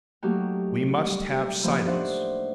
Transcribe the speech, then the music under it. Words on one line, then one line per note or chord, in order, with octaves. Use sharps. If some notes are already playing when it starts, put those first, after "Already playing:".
"We must have silence!"
F#3 A3 A#3 D#4 F#4 G4
G3
G4
A2 F3 A#3 B3
D4 D#4 C5 E5 F#5